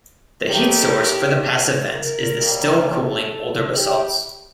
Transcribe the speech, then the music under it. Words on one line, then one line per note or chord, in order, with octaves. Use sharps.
The heat source for the passive vents is the still-cooling older basalts.
D#2 D#3 A3 G4
A#4
D#2 D#3 G3 A#3
A4
G4